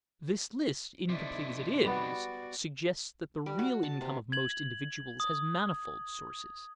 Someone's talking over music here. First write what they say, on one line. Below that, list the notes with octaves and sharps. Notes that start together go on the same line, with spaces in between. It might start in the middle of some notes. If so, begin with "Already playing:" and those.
This list, incomplete as it is, suggests that the real income of most individuals has manifold sources.
C3 D#4 E4 D5
G3 B3 F#4 D5
G3
F#4
A5
C3
G#6 F#7
D#6